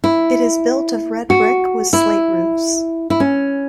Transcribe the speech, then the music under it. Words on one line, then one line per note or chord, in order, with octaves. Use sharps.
It is built of red brick with slate roofs.
E4
F#4
E4
E4
C#4